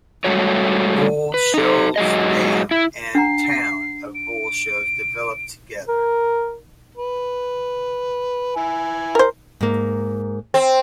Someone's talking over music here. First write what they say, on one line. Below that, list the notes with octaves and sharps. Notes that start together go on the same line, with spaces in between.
Bull Shoals Dam and the town of Bull Shoals developed together.
G#2 G3 A3 F#4 C#5
B4
D#4 A4
G#2 F#3 G#4 D#5
E4
D4 F#5 A#5 C7
D7
A#4
B4
E4 G#5
A#4 C5
G#2 A#3
C4